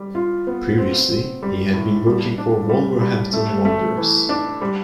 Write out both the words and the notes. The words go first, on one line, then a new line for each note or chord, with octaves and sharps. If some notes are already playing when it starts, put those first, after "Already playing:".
Previously he had been working for Wolverhampton Wanderers.
Already playing: G3
F4
B3
C4
C4
G3
A2
G3
D4
G3
G3
A3
A3
E3
D4
G3